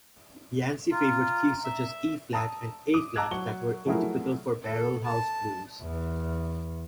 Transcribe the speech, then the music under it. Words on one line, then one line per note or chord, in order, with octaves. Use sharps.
Yancey favored keys-such as E-flat and A-flat-that were atypical for barrelhouse blues.
F4 A#5
E5
A5 A#5 D#6 E6
D6 D#6
A5 A#5 D6 E6 F#6 G#6
F#3 C#6 G7
F3 F#3 A3 E4 G#4 A#4
A4
A5
E2